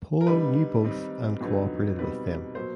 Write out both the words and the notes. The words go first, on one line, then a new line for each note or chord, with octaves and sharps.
Polo knew both an cooperated with them.
A#4
D3 G3 B3 D#4 B4
D#3 G3 C4 D#4
F2 D3 F#3 B3 D#4
B2 G3 C4 D#4 B4
B2 F#3 A#3 C5